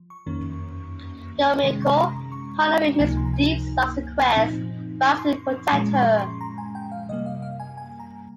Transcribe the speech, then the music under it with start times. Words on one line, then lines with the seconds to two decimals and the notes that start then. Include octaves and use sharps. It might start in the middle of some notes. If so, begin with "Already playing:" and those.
Yomiko, honoring Miss Deep's last request, vows to protect her.
Already playing: F3
0.10 C#6
0.26 F2 D#3 A#3 C#4
1.63 C3 D#3 G#3 C#4 C6
1.82 C#6
1.89 C6
1.98 A#5
2.32 C#6
2.77 A#5
2.99 C#2 C3 F3 A#3 D#4 G#5
3.17 C6
3.25 A#5
3.33 G#5
4.36 A#2 F3 C4 D#4
5.05 C#6
5.19 C6
5.27 C#6
5.50 C6
5.72 A#2 F3 G#3 C#4 A#5
5.95 C#6
6.18 C6
6.41 A#5
6.58 G#5
6.75 G5
6.92 F5
7.09 C3 G3 A#3 D#5
7.26 F5
7.42 F5
7.60 G#5
7.77 G#5
8.00 A#5